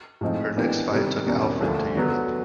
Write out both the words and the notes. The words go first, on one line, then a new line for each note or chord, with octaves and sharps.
Her next fight took Alfred to Europe.
A2 F3 G#3 C4 D#4
E3 G#3 B3 D4 G4
C3 D#3 G3
E2 B2 G3 A#3 C#4
D2 D3 F3
D3 F#3 B3